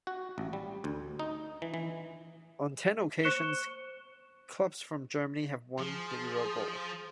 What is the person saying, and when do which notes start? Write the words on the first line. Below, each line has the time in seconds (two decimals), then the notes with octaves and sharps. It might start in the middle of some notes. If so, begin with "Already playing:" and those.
On ten occasions clubs from Germany have won the Eurobowl.
0.07 F#4
0.38 A1
0.53 G3
0.84 D2
1.19 D#4
1.62 E3
1.74 E3
3.23 C5 C#6 F#6 C#7 E7 G7
5.79 F3 G#4